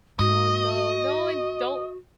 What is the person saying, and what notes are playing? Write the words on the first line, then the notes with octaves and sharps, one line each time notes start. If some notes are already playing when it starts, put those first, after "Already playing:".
Oh, no. No, and don't
G#2 F#4 D#5